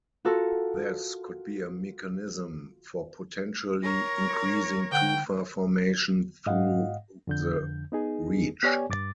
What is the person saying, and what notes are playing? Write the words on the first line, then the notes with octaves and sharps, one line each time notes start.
This could be a mechanism for potentially increasing tufa formation through the reach.
F4 F#4 A4 A#4
A#4 C#5 A#6
D3 F#5 G5 F#6
G#2 D#5 F5 F#5
F2 D3 G6
B3 D#4 G#4
B3 G4 C#5 D5 G#5
G2 D6 A6